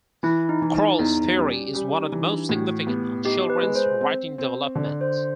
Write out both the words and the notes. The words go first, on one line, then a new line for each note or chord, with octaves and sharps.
Kroll's theory is one of the most significant on children's writing development.
E3 E4
D#4
E3
D#4
E2 D#4
G3 C#4
G3 C#4
D#4
E3
D4
A2 F#4
B3 G4
D#4 G4
B4
G#3
C5
C4
C4
D3
C5